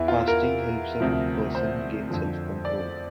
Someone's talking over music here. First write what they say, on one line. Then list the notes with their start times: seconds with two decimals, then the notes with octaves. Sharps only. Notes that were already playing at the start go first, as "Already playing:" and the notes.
Fasting helps a person gain self-control.
Already playing: E2 E3 E4
0.08 F4
0.28 A#4
1.00 D2 C3 F3
1.55 C5
2.10 F2 D3 F3
2.65 D5